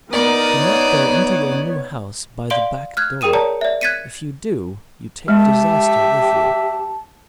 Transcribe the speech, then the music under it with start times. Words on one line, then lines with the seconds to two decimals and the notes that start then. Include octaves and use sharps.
Do not go into your new house by the back door; if you do you take disaster with you.
0.12 B3 D#4 A#4 D5 D#6
0.59 C#5
2.50 D5 F5 C6 D7 G7
2.97 F6 F#6 G#6
3.21 G#4 A#4 G5 D#6 D#7 E7
3.33 C#5 D5 A5 A#5 C#7
3.61 D5 E5
3.81 F#6 G#6 A6 B6 C#7 D#7
5.28 G#3 G4 E5 A5